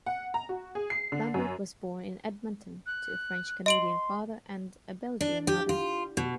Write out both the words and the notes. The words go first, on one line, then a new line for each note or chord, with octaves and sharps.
Lambert was born in Edmonton, to a French Canadian father and a Belgian mother.
F#5
A#5
F#4
G#4
C7
D3
F#2
F#6
D#5 C6 D7 F#7
D4
G4
F4
B2